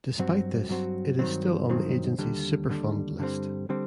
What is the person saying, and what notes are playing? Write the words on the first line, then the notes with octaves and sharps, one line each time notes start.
Despite this, it is still on the Agency's Superfund list.
G2 F#3 C4 F#4
G2 F#3 C4 F#4
G2 D#3 F#3 C4
G2 D#3 F#3 C4
D#2 D3 G3
D#2 D3 G3
G2 D3 G3 C4
D3 G3 C4